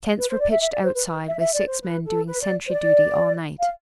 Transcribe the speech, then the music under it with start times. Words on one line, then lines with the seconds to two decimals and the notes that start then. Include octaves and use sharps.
Tents were pitched outside with six men doing sentry duty all night.
0.18 B4
0.29 C5
0.40 D5
0.51 E5
0.61 E5
0.73 D5
0.83 C5
0.95 B4
1.06 B4
1.28 E5
1.39 E5
1.53 D5
1.68 C5
1.82 B4
2.05 A4
2.27 B4
2.42 D5
2.67 C5
2.71 D5
3.60 F5